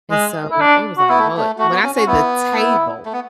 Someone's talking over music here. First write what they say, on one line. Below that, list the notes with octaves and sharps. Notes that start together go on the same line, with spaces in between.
And so, they was, like, "Well, it" when I say the table
G#3
E4
D4
F#4
B3 E4
A3
A3
A3 F#4
B3
C#4
C#4 F#4
B3 E4
E4
A3
B3